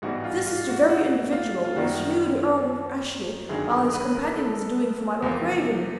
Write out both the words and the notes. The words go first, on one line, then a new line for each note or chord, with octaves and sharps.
This is the very individual who slew the Earl of Ashley, while his companion was doing for my Lord Craven.
A1 G#2 E3 G3 B3 F#4
F4
F4
F#4
F#4
F4
F4
F#2 D#3 G3 F#4
G1 G2 D#3 F#3 G#4
A#4
B4
A#4
A4
E2 C3 F3 A#3